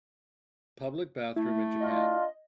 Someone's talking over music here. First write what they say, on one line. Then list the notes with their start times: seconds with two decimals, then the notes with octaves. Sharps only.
public bathroom in Japan.
1.36 A3 E4
1.81 D4 F4 D#5